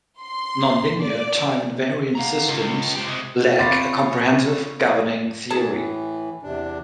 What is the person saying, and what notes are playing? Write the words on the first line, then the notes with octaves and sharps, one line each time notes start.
Nonlinear time-invariant systems lack a comprehensive, governing theory.
C6
D5
F5 F#5 A#5
C#2 F4
G4 C5
C3 G#3
C4 F4 C#5 F5 B5 C6 D6 A6
A2 E3 G#4 A5
E2 C3 D4